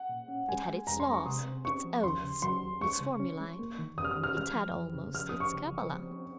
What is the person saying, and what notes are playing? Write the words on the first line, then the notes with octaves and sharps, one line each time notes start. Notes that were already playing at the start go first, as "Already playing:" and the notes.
It had its laws, its oaths, its formulae--it had almost its cabala.
Already playing: F#5
A#2
C#4
G#3 G#5
G#3
F2 A#5
C6
G#3
C#6
C3 D#6
C4
C4 C#6
F3
D#2 C6
C#3
F#3 C6
D#2
G#3 C#6
C#3
C#4
G#3
A#3
D#3
F2 D#6
F6
D#6
D#3
F6
G#3 F6
F3
F2
C#3
F3 F6
C#2 D#6
C#6
C#3
F3
C4
C4